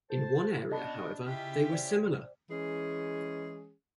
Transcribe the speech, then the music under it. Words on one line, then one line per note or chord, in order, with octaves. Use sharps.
In one area however they were similar.
A4 C5 A5
B3 C#4 D4 F#4 D#5 A5 B5
C#3 C#4 E4 F4 G4 E5
C5 D5
E3 G#3 C#4 G#4